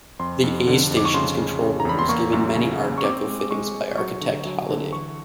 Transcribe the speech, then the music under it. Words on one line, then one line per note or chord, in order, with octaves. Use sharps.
The A Station's control room was given many Art Deco fittings by architect Halliday.
F2 C6
F2
D3
F2
D6
C#6
C#3 C6
C#3
C#3
A#5
E2 B5
C6
A#3 C#6
F#2
C#3
C#3
C#6
C4 D6
G#3
D6
G#3 C#6
G#3
F#3 C#6
D3
F#3
D3
E3 C#6